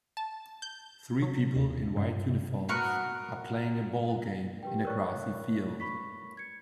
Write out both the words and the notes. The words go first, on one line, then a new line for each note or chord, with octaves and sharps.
Three people in white uniforms are playing a ballgame in a grassy field.
A5
G6
F#3
D#2
G2
B3 F#4 A#4 C#6
G4 B4 G5
A#4 B4 C#5 D5 C#6 F#6
B5 C#6 B6
G#6 C#7